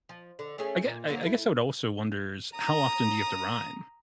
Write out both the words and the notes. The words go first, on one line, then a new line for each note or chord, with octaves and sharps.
I ge I I guess I would also wonders, how often do you have to rhyme?
F3
D3
A3 C#4 G#4
A#2
D3 F#3 A#3
A3 E4
A#5 D#6